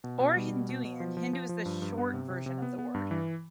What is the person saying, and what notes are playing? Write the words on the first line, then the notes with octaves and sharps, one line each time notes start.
Or Hinduian, Hindu is the short version of the word.
B2
B2
G3
B2
B2
B2
F3
F3
F3
F3
G2
G2
B3
C3
C3
C3
B3
B3
G2
E3